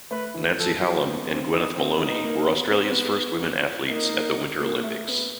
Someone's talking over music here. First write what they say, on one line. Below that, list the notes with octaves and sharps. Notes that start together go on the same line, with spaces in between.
Nancy Hallam and Gweneth Molony were Australia's first women athletes at the Winter Olympics.
A3 B4
E3
F3 A4
F#3
B3
C4
B3 D#4
C4
B3 D#4
A#3
B3
B3
C4
B3
A#3 D#4
A#3
A#3
A3
B3